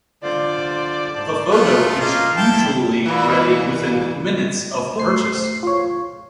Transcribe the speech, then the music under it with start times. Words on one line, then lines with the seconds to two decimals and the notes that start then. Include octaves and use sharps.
The photo is usually ready within minutes of purchase.
0.23 D3 F4 C5 D5
1.15 G#2 C5 A5
1.50 A3 F4 G#4 F6 F#6
2.00 A#3 C#4 F4 D#5 F5
2.37 E4 G5 A5
3.05 A#2 E3
4.96 A3 C5 C7
5.63 F4 C#5